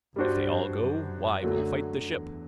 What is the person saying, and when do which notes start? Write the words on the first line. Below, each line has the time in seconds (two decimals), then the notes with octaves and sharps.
If they all go, why we'll fight the ship.
0.16 G2 G3 D4 F#4 C5
0.81 F#2
1.43 D3 F#3 A3
2.06 E2